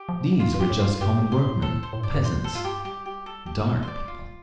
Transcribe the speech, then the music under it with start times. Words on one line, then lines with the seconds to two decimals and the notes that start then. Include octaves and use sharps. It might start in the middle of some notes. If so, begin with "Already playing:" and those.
These were just common workmen, peasants, "Dark People."...
Already playing: G4
0.09 F3
0.24 C3
0.40 F4
0.54 G2
0.60 G4
0.70 A2
0.80 F4
0.85 G2
1.01 G2 G4
1.17 A2
1.32 C5
1.46 A2
1.62 A2 A4
1.83 C5
1.93 A2
2.00 G2
2.03 F2 D5
2.14 G2
2.23 F2 C5
2.44 A2 A4
2.55 G2 F4
2.64 G4
2.85 G3 G4
3.06 G4
3.26 A4
3.46 G4
3.67 A4
3.83 C5
3.88 D5
4.08 F4